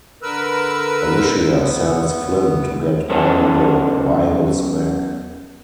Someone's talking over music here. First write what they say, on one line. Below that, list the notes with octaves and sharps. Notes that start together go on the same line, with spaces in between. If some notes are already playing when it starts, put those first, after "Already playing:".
Alicia sends Flynn to get all the vials back.
D3 A#4 B4 E6
B3
F#3 B3 C#4 A4